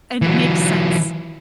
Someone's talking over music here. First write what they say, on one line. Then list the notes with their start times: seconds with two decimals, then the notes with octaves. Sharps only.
and it makes sense.
0.22 E3 F#3